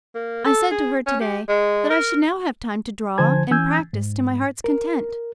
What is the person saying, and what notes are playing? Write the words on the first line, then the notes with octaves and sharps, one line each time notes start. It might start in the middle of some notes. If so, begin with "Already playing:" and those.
I said to her today that I should now have time to draw and practice to my heart's content.
A#3
A4
G#4
C#4
G4
G#3
A#4
D3 F3 C5 G#5 A5 G#6
E3 C#4 G#5 E6 G6 G#6
G#2
A#4